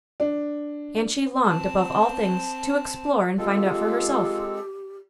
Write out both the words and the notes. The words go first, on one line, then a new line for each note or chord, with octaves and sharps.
And she longed, above all things, to explore and find out for herself.
D4
C4 A5
G#3 C4 F4 G4 A4